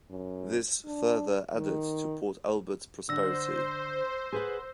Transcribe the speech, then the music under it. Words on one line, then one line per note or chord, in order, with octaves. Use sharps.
This further added to Port Albert's prosperity.
F#2
D4
D#3
D3 C5 F#5 E6 A#6
G#4 B4 F#5